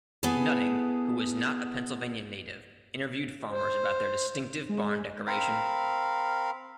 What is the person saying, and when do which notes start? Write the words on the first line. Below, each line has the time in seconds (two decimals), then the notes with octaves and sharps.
Nutting, who was not a Pennsylvania native, interviewed farmers about their distinctive barn decoration.
0.23 B3 E4 G#4 A4 B4 G#5
3.51 C5
4.69 G#3
5.27 C4 A#4 F5 B5